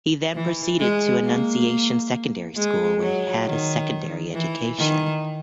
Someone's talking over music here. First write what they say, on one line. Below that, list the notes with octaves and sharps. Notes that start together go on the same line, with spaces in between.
He then proceeded to Annunciation Secondary School where he had his Secondary education.
E3
G#3
A#3
G#3
F#3
D#3
E3
D#3